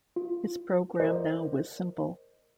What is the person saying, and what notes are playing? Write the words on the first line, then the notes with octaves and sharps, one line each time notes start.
His program now was simple.
F4
A#4 C5 D5 D#5